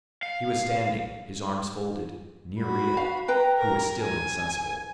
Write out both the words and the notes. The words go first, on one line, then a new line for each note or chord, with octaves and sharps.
He was standing, his arms folded, near Rita, who was still insensible.
F5
F#4 B5
F5
B4 G5 A#5
A#4 A#5
G#5